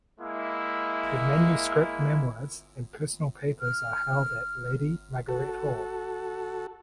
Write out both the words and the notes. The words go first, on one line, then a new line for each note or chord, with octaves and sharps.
Her manuscript memoirs and personal papers are held at Lady Margaret Hall.
G#3 A#3 E4
F6
F#4 A4